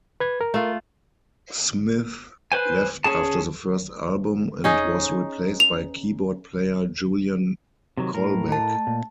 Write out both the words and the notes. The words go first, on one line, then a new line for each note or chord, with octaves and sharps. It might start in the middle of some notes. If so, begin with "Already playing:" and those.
Smith left after the first album and was replaced by keyboard player Julian Colbeck.
B4 G#6
A#4
A3 F4
B4 C5 G#5
C#4 G#4 A5
C#4 D#4 G#4
F7
C3 D#3 F#3
A2 A#4
A3 A5
A#2